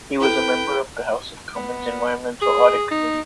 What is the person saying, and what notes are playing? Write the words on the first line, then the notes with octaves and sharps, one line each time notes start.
He was a member of the House of Commons Environmental Audit Committee.
E4 A4 B4 G5
B3
G#4
D#4